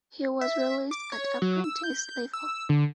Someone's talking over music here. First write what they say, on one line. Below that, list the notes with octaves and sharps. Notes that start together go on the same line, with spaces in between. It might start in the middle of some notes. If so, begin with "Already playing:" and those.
He was released at apprentice level.
E5
D6
C#5
F#3
E6
G6
E6
D3